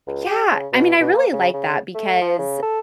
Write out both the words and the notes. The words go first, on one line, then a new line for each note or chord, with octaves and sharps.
Yeah. I mean, I really like that because,
C#2
G4
C#3
B2
B2
A#3
C#3
C#3
A3
F3
C#3
A4